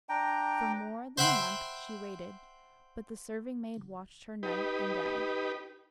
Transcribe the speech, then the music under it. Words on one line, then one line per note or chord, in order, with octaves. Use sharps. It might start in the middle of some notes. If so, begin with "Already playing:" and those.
For more than a month she waited; but the serving-maid watched her night and day.
D4 G5 A#5
C5 E5 F#5 G5 B5 C6
D#4 G4 B4